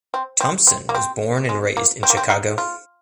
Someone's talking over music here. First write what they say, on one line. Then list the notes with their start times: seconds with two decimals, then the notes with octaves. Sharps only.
Thompson was born and raised in Chicago.
0.14 C4
0.40 C4
0.67 C4
0.89 A#3
0.94 C4
1.49 G#3
1.77 A#3
2.03 C4
2.10 A#3
2.17 C4
2.30 D#4
2.58 F4